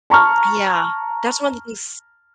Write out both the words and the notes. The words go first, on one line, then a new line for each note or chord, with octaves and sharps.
Yeah, that's one of these
A5 A#5 C#6 F6